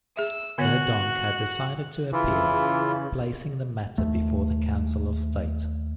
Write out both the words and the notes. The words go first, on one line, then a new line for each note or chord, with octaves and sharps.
Verdonk had decided to appeal, placing the matter before the Council of State.
G#4 E5 E6
D3 B3 F#4 C#5 F#6
C#3 E3 E4 F4
D#2 A3